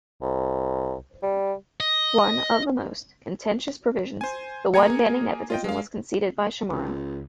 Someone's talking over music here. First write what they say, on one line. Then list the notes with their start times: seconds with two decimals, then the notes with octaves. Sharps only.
One of the most contentious provisions, the one banning nepotism was conceded by Chamorro.
0.21 C2
1.22 G3
1.80 D#5
4.21 C5 G#5
4.74 A#3 G#4 G#5 A#5 G#6 C#7
5.50 F4 D#5 G5
5.64 G#3 F5
6.70 C#2